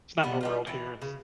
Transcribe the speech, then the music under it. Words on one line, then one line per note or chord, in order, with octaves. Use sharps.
it's not my world here, and
B2 G3 B3 G4
G3 D#4 F4
E3 G5
C#3